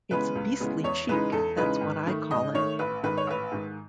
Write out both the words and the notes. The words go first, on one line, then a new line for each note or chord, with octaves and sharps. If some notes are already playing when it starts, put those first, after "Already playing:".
It's beastly cheek, that's what I call it.
C#3 E3 G#3 B3 B4
C#2
C#3 E3 G#3 B3
E2 C#5
C#3 E3 G#3 D#4 B4
E2 A4
C#3 E3 G#3 D#4 B4
G#2
D#3 A3
G#2 D#5
D#3 A3 C#5
A1 B4
G#2 D#3 B4
C#5
A1 B4
G#2 D#3